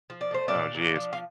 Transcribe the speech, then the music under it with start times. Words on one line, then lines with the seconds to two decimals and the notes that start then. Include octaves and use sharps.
Oh, jeez.
0.10 F3
0.21 D5
0.31 A3 C5
0.48 D4 D5
0.54 A#2
0.75 A#2
0.96 F3
1.13 F5